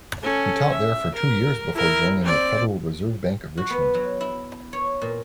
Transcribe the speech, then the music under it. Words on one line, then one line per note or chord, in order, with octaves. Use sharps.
He taught there for two years before joining the Federal Reserve Bank of Richmond.
C#4 A4
E5
A#4
E4 A#4
C4 D5
F#4
B3
F#3
E4
C#5
A#2